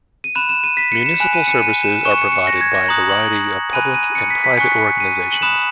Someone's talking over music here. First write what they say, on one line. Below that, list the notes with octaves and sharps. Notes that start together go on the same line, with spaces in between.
Municipal services are provided by a variety of public and private organizations.
D#7
B5 F#6 E7
E7
D#7
B6
C#7
E7
G#5 B5 F#6 E7
D#7
C#7
D#7
E7
G#5 C#6 F#6 E7
C#7
C#7
A#6
G#6
A#6
A#5 D#6 F#6 F#7
F#7
G#5 B5 F#6 D#7
D#7
C#7
B6
B6
G#5 C#6 F#6 C#7
C#7
D#7
F#7
B5 D#6 F#6 E7